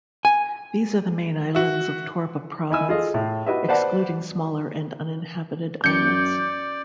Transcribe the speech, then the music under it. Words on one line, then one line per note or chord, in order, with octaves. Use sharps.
These are the main islands of Torba Province, excluding smaller and uninhabited islets.
G#5
F#4 E5
D#4 E4 G#5 E6
F4 G#4 A4 D#5 F5
A2
E4 F#4 G4 B4 D#5 E5
B4 C5 D5 F#5 A5 B5
F#2 D5 G6 C#7